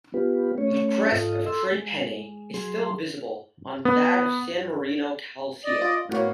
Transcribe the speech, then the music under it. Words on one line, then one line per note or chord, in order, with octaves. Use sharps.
The crest of Tre Penne is still visible on that of San Marino Calcio.
B3 F4 G4 B4
A3 C#4 C#5
G#2 F4 A4 D#5
A4 C6 E6
G#3
F#3 G#4 C6
B3
D5 D#5
F4
A2 A#3 B3 F#4 C#5